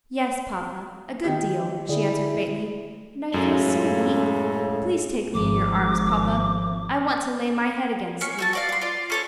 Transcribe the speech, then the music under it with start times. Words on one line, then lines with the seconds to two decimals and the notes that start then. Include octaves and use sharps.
"Yes, papa, a good deal," she answered faintly; "and I feel so weak. Please take me in your arms, papa, I want to lay my head against you."
1.24 D#3 G4
1.89 D3 E4 G#4 D5
3.34 F#2 A2 C#3 G#3 A4
5.34 G#1 F3 D6
8.21 A#3 C#4 C#6
8.39 A3 F#4 A5
8.53 F#4 D5 F5
8.69 D5 C6
8.81 F4 D5
9.10 C#4 A4 C#5